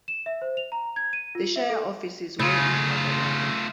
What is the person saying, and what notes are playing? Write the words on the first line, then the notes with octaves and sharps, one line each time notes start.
The shire offices were in Wagga Wagga.
E7
E5
C5
F7
A#5
G#6
D#7
F4
E5
A4
C#3 A3 F4